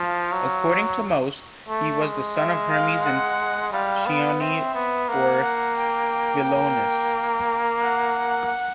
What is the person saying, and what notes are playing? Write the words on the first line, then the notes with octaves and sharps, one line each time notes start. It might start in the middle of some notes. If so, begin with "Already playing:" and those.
According to most, he was the son of Hermes and Chione or Philonis.
Already playing: F3 F5
F#3
A3
G#3
E5
F5
F#5
G3 F5
B3
C4 E5
B3
A#3 F#5
F#5
G5
A#3
F#5